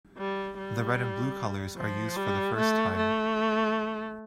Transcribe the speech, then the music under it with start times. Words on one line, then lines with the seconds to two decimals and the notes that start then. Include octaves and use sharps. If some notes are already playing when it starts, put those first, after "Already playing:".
The red and blue colors are used for the first time.
0.18 G3
0.58 G3
1.77 F3
2.16 G3
2.57 A3
2.96 A3